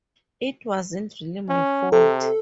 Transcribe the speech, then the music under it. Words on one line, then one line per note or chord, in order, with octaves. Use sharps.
It wasn't really my fault.
C#4
C3 A4